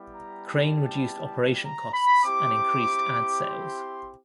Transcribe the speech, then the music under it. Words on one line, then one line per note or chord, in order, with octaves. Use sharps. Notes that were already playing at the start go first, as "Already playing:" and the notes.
Crane reduced operation costs and increased ad sales.
Already playing: G3 B3 E4 G4
A#5
A5
A#5
B5
C4 E4 G4 D6
C6